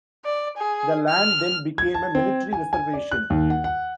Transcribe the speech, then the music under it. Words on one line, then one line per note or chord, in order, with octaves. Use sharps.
The land then became a military reservation.
D5
G#4
F6
G#6
A5
C4
G#5
G#5
D5
F#6
D#2
F#5
F#5